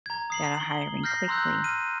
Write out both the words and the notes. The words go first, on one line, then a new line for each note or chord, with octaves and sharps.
that are hiring quickly.
A#5 G#6
D#6 C7 F#7
F#7 G7
F6 G6 A#6 C7
A#5 C6 E6 F#6 G6
F6 D#7